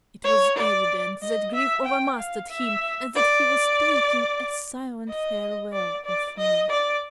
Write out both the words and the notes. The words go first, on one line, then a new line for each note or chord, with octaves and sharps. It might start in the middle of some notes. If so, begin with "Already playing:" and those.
It was evident that grief over-mastered him and that he was taking a silent farewell of me.
C#5
D5
D#5
E5
G5
F5
E5
D5
D#5
D5
D5
D#5
D5